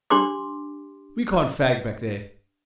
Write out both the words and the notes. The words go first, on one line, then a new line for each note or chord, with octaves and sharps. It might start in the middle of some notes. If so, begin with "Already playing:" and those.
We can't fag back there.'
D4 G4 C6 D6